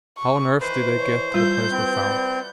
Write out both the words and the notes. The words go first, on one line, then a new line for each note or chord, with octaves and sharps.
How on earth did they get to the place where found?
C#6
D#3 E3 B4 C5 C#6
C#5
G3 F4 E5 G6
C4 B4 C5
D5 F#5